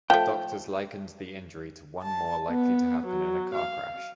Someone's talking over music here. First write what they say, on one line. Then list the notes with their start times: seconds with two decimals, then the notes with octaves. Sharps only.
Doctors likened the injury to one more likely to happen in a car crash.
0.10 F3 A3 G5
2.01 A5
2.50 B3
3.06 F#3
3.55 F5